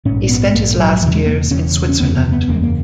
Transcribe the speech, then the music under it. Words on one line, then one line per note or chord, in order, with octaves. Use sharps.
He spent his last years in Switzerland.
A#1 G#2 C#4
B3
A#1 G#2 A#3
F#3
E1 E2 C#3 E3
G#3
A#3
E1 E2 C#3 C#4
C#4
F#1 E2 C#3 B3
B3
B3
F#1 E2 C#3 A#3
G#3
A#3